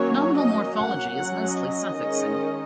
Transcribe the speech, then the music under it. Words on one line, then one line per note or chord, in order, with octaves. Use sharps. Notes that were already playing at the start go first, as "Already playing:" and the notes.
Nominal morphology is mostly suffixing.
Already playing: D#3 F#3 A#3 C#4 C#5
F#3 A#3 C#4 D#5
F#5
F#3 C#4 F#5
D#5
D#3 G#3 C#4